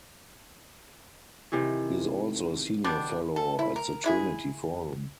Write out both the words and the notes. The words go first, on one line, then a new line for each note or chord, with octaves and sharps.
He is also a Senior Fellow at The Trinity Forum.
C3 D#3 E3
B2 G3 D4
A4
E4
A#4
G#3 E4 G#4